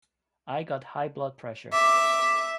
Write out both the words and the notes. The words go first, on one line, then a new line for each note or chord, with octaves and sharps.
I got high blood pressure.
E5 D6